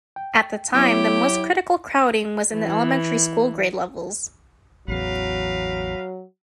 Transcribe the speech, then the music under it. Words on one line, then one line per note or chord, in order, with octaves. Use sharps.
At the time, the most critical crowding was in the elementary school grade levels.
G5
F#3 B3 E4 G4
E3
A1 E2 F#3 A#4 B4 F5